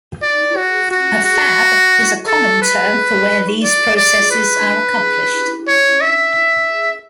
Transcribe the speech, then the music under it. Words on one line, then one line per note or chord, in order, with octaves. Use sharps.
A fab is a common term for where these processes are accomplished.
D5
F#4
F#4
F#4
A4
B4
D5
D5
B4
C#5
E5